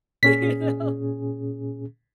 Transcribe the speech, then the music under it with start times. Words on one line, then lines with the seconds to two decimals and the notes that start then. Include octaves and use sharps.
you know,
0.23 A#2 C#4 G#4 B6